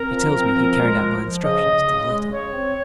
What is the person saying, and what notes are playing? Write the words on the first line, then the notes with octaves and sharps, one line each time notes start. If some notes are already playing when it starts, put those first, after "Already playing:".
He tells me he carried out my instructions to the letter.
Already playing: C4 A#4
F3
C4
F3
G#3
F3
F3
C#3 D#5
C#3
C#3
G#3
C#3 C#5
C4